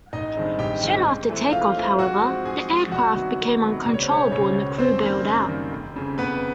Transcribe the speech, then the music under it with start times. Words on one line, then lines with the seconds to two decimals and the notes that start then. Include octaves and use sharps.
Soon after takeoff, however, the aircraft became uncontrollable, and the crew bailed out.
0.13 A1 D#4 D#5
0.37 G2 D#3 G#3 C4
0.59 A1 G4 G5
0.83 G2 D#3 G#3 C4
1.06 G#2
1.30 E3 A3 C4
1.52 G#2 F4 F5
1.76 E3 A3 C4
1.99 G#2 F#4 F#5
2.22 F3 G#3 C4
2.45 G#2 G#4 G#5
2.68 F3 G#3 C4
2.91 C2 F#4 F#5
3.15 C3 D#3 F#3 B3
3.38 C2
3.62 C3 D#3 F#3 B3
3.86 C#2 D5
3.94 C#5
4.03 C5
4.09 B2 G#3 C#4 C#5
4.31 C#2 C#4 C#5
4.55 B2 G#3
4.78 F#2 C4 C5
5.02 D#3 G3 A#3
5.24 F#2
5.48 D#3 G3 A#3
5.71 F1
5.95 F2 C#3
6.18 F1 B3 B4